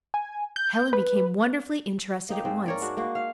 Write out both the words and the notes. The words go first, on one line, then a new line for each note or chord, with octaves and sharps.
Helen became wonderfully interested at once.
G#5
G6
B4
A#3 D#4 G4
G#2 C4
A#4 C#5 D5
G#3 D4 F#4
G#3 A#3 F#4
F5